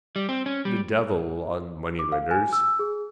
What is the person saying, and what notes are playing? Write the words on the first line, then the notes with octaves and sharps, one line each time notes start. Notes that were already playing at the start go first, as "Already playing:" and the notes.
The devil on moneylenders.
G3
C4
C#4
G3
D6
F5
G#5
E6
G#4